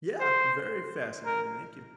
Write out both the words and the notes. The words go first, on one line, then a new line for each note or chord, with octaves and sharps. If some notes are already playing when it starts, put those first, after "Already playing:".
Yeah, very fascinating. Thank you.
C5
A#4